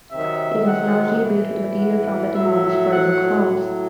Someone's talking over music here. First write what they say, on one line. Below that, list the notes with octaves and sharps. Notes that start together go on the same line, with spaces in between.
It was largely built with material from the demolished Purbrook house.
C3 D#3 F#3 E5
F#5
A2 E3
F#5
A2 F#3 E5
F#5
A2 F#3